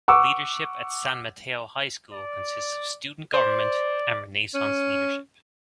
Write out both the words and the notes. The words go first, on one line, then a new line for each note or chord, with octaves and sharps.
Leadership at San Mateo High School consists of Student Government and Renaissance Leadership.
F#5 C#6 D6 E6
D5
C5 D5
C#4